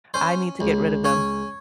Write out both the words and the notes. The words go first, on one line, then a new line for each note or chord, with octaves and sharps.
I need to get rid of them.
C#4 C5
C#2
C#4 C#5